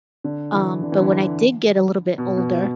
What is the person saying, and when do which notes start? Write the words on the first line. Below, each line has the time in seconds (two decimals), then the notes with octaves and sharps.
Um, but when I did get a little bit older
0.24 D3
0.53 E3
0.83 D3
0.92 E3
1.02 D3
2.18 B2
2.37 B2